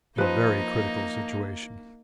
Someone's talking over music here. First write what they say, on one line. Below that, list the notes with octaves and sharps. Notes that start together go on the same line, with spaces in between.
In a very critical situation.
F3 A#3 D#4 B4 C5